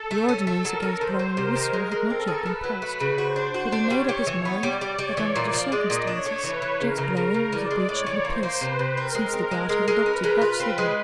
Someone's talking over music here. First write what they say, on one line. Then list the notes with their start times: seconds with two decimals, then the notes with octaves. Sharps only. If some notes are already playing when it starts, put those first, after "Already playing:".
The ordinance against blowing a whistle had not yet been passed, but he made up his mind that, under the circumstances, Jack's blowing was a breach of the peace, since the Guard had adopted that signal.
Already playing: A4
0.11 A3
0.29 C#4 A4
0.47 A3
0.65 F#3 A#4
0.82 C#4
1.01 D#3 C5
1.19 F#3
1.37 C3 A#4
1.56 D#3
1.73 G#3
1.92 G#3
2.10 C4 A4
2.28 G#4
2.46 A3 B4
2.64 F#3
2.82 A3 B4
3.00 C#3
3.18 F#4 C5
3.36 D4
3.54 F#4
3.72 D4
3.90 G3 C#5
4.09 G3
4.27 E3
4.45 B3
4.62 G3 D5
4.81 G3
4.99 G3 C#5
5.17 E3
5.35 A#2 D5
5.53 F3
5.71 G#3 D#5
5.90 A#2
6.07 D4 C#5
6.26 A3
6.44 E3 B4
6.62 E3
6.80 C#3 A#4
6.98 C#3
7.16 C#3 A#4
7.34 C#3
7.53 E3 D5
7.71 G#3
7.89 A2 C#5
8.06 E3
8.25 A#3 C5
8.43 A#3
8.61 C3 B4
8.79 C3
8.97 C4 A#4
9.15 G#3
9.33 C4 A#4
9.51 G#3
9.69 G#3 A#4
9.88 G#3
10.06 C#4 B4
10.24 G#3
10.42 F4 B4
10.60 C4
10.78 G#3